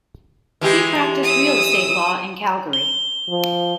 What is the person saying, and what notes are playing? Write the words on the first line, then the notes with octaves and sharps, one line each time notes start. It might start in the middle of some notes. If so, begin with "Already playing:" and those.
He practised real estate law in Calgary.
E3 G#3 G4
D#6 E6
G7
F3